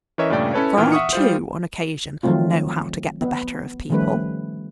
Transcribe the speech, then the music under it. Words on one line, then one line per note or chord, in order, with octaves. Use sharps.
For I, too, on occasion know how to get the better of people.
E3 C#4 A#4 C#5 D#5 E5
G2 A#2 C#3 A3 D5 G5
C#4 E4 A4 B4 C#5
A#2 D#3 E3 B3 G5 F6
E5 F#5 C#6 D#6 C#7
G3 F4 C5
D#3 F3 F#3 A3 C4 F4
B3
D#3 F3 G3 A3 C#4 B4